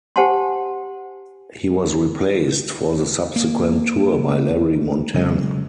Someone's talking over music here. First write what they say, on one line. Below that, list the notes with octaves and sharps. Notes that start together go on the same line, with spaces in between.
He was replaced for the subsequent tour by Larry Montana.
G4 C5 F#5 G#5 A5 C6
A#3
C#3 F#3 G#3